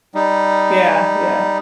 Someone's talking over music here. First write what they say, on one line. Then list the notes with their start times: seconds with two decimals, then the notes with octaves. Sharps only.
Yeah, yeah.
0.15 G3 D#4